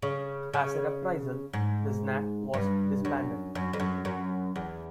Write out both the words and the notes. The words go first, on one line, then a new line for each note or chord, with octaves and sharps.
As a reprisal the Znak was disbanded.
C#3
C#3
G#2
G2
F#2
F#2
F2
F#2
F#2
E2